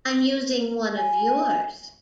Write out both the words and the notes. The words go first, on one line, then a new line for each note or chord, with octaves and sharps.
I'm using one of yours.
G#5